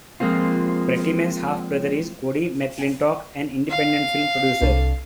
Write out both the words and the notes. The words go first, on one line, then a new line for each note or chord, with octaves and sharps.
Prettyman's half-brother is Cody McClintock, an independent film producer.
F3 G#3 A#3 C4 F4
F5
C2 D4 A4